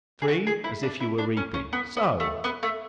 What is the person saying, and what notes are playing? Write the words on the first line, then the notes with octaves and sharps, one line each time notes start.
Three, as if you were reaping--so.
G#4
F#4
G#4
E4
D4
E4
D4
C#4
C#4
B3
B3
A3
B3
A3